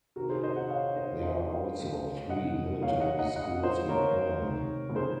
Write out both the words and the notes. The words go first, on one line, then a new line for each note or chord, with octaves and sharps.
There are also three military schools in Perm.
C3 D#3 F#4 A#4
G#4 C5
C5 D#5
D#5 F#5
C#5 F5
C5 D#5
C5 D#5
C3 D#3 D#5 F#5
C#5 F5
D#5 F#5
D#5 F#5
D#5 F#5
C5 D#5
A#4 C#5
C3 D#3
G#4 C5